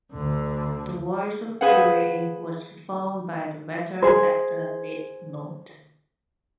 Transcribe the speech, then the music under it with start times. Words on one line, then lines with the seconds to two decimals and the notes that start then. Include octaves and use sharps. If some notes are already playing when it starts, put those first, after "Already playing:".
The voice of Kuiil was performed by veteran actor Nick Nolte.
0.13 D2 D3
1.61 G#4 B4 C5 F5 F#5
4.02 G#4 C5